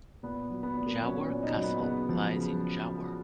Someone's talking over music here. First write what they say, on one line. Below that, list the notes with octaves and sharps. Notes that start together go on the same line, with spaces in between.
Jawor Castle lies in Jawor.
A#2 B3
F#3
B3
A#2
A#3
B3
F#3 C#4
C#4
A#2
D#4
F#3
B3
C#3 B3
F3
C#3